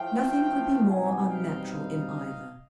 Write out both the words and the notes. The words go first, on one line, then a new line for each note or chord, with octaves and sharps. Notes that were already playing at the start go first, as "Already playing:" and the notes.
Nothing could be more unnatural in either.
Already playing: A2 F3 A3 F5 G5
B2 G3 C4 D#4 F#5 G#5
F5 G5
D#5 F5